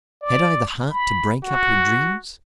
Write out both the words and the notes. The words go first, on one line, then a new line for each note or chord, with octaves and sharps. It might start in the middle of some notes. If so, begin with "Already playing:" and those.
Had I the heart to break up her dreams?
D5
B5
F#4